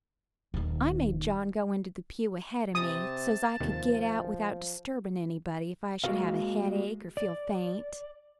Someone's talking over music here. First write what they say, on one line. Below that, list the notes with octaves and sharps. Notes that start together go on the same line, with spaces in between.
I made John go into the pew ahead of me so's I could get out without disturbin' anybody if I should have a headache or feel faint.
D#1 D#3
C3 A5 D#6
D#2 C3 D#3 F3
G#3 A#3 F#4 G#4 B4 F5
D5